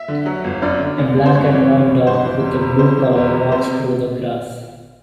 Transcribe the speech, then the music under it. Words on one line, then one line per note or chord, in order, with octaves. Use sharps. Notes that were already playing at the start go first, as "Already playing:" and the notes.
A black and white dog with a blue collar walks through the grass.
Already playing: E5
D3
F#3
G1
F#2 D5
D3
A1
A1
C5
G2 C#5
E3
A1
A1
G2 C5
E3
E2
E2
C3 C5
E3
E2
E2
C3 C5